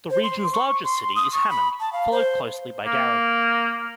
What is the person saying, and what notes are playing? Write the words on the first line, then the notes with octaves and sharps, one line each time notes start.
The region's largest city is Hammond, followed closely by Gary.
C5
C6
C#6
C6
D#6
C#6
B5
A5
F5
C5
A#3